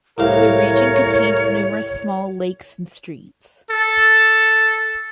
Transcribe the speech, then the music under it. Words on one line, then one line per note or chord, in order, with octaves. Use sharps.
The region contains numerous small lakes and streams.
C2 A2 A#4 C#5 F5
A4